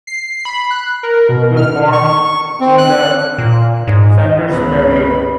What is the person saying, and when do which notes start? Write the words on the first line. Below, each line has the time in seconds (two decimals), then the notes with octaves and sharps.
He was born in the Santurce barrio.
0.07 C7
0.45 B5
0.71 F#6
1.03 A#4
1.29 B2
1.57 F6
1.92 C#6
2.60 C4
2.78 F#6
3.38 A#2
3.87 G#2
4.49 G1 C#2 B3 B4 C#5 D#5 B5